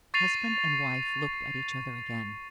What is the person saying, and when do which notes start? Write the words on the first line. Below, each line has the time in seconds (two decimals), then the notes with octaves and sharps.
Husband and wife looked at each other again.
0.14 C#6 A6 C7 D#7 F7